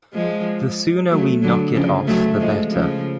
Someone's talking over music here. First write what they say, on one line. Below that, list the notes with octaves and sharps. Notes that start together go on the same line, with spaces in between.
The sooner we knock it off the better.
F3 G#3
F#3 A3
D3 F#3
C#3 F3
F#3 A3
F3 G#3
C#3 F3